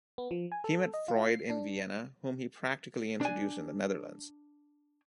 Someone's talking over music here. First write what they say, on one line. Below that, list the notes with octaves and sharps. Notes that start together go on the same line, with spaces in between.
He met Freud in Vienna, whom he practically introduced in the Netherlands.
B3
F3
G#5
A4
D#5
F4
C7
D4
D4 G#5